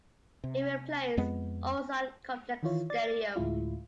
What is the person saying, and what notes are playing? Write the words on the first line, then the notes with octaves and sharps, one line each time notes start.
It replaced Ulsan Complex Stadium.
C3
F2 G#3 B3
D#3 E3 E4 F4 C#5
D5 A6
D2 A2 G#3 E4 F4